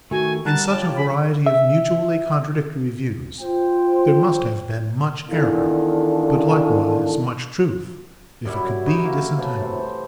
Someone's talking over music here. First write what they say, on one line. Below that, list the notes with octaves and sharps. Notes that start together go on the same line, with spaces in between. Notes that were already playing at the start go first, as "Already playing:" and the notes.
In such a variety of mutually contradictory views there must have been much error, but likewise much truth if it could be disentangled.
D#3 A3 F#4 G#5
G3 A#4 F#5 A5 F#6
F4 G4 C#5
B5
E5
F4 C5 G5
E2 D#3 D4 F4 A4
F#2 G3 E4
D#4 E4 F#4
A#3 E4 F5 D6
A2 E3 F#3 A5
C3
C5